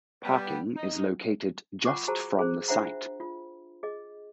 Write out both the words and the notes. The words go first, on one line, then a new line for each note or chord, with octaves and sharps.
Parking is located just from the site.
G3 B3
D#4
F4 F#5 G#5 C#6 D6
F#4 G#4 A#4 C5 A5 A#5
G#4 C5
D4 F4 C5 E5 F#5 A#5
F4
G#4 D#5